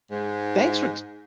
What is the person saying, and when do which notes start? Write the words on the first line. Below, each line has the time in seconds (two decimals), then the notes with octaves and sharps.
thanks for t
0.10 G#2